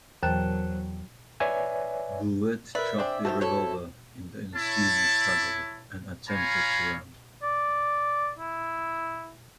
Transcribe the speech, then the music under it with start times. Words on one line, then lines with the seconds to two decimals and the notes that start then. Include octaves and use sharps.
Bouvet dropped the revolver in the ensuing struggle and attempted to run.
0.23 E2 F#3 A#4 C5 G5 A5 F#6 E7
1.40 B4 C#5 D5 E5 G#5
2.75 A#4 B4 D5 E5
2.99 D4 G#4 C5 D5 G5
3.25 D#3 A#3 F#4 A4 C5
3.41 E4 A4 C#5
4.55 E4 C#5 A5
6.29 F4 C#5 F5 G#5 A#5 B5
7.43 D5
8.38 E4